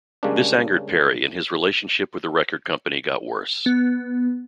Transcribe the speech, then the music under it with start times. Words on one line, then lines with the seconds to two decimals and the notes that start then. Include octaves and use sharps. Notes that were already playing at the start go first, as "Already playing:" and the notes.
This angered Perry and his relationship with the record company got worse.
0.23 C#3 G3 G#3 A#3 C#4 D4
3.66 B3